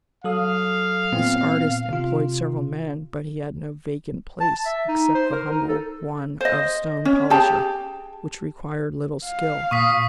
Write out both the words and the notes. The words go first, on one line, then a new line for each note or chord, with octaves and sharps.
This artist employed several men, but he had no vacant place except the humble one of stone polisher, which required little skill.
F#3 A4 F5 D#6
A#2 B3 C4
C3 F4
A5
E5
D#4
C5
A#4
D#4
A4
C5 D#5
C#4
G4 G#4 A5
F5
A#2 C#6 D#6 B6